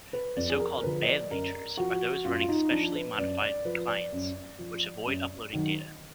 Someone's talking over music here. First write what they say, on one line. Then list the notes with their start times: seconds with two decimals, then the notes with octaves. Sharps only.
The so-called "bad" leechers are those running specially modified clients which avoid uploading data.
0.13 B4
0.37 F2 D5
0.49 G#4
0.60 A#4
0.78 A#4
0.83 D3 F3 B4
1.02 D#5
1.07 D5
1.31 F#2 A#4
1.77 F3 F#4
2.24 F#2 F4
2.41 F4
2.48 D#4
2.71 F3 D4
2.95 B4
3.18 F#2 D5
3.42 D5
3.65 F3 B4
3.88 D5
4.12 F#2
4.58 F3
5.06 F#2
5.53 D#3 F#3